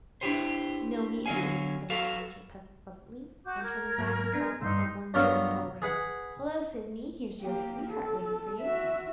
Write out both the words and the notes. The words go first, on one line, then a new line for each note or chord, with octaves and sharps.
'No, he ain't,' the man answered pleasantly; and turning back, he called to some one within the doorway; 'Hello, Sidney! here's your sweetheart waiting for you.'
D4 E4 G4 B4 C5
D3 F#3 B3 A4 F5 G#5
F#4 A4 B4 F5
F#4 D6 G6
A#4 G#6
G#2 F#3 A#3
B3 D4 A#5
C2 G2 D#4 C6 E6 G6
G2 F#3 B3 F4 A#4 F#5
G#4 B4 F#5
A#3 G4
A4
F#4 E5